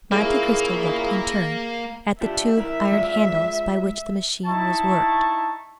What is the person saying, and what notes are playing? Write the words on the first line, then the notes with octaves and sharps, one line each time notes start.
Monte Cristo looked in turn at the two iron handles by which the machine was worked.
A#2 C#3 A#3 E4 G#4
D4 F4 G4 E5
E4 A#4
G#3 F4 D5
D#4 E4 A5 C#6